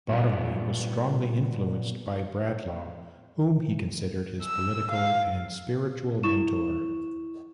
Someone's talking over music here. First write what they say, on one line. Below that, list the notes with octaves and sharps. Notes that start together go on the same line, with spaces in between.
Bottomley was strongly influenced by Bradlaugh, whom he considered his political and spiritual mentor.
A#2 G3 B3
E6
F5
E4 C#6 E7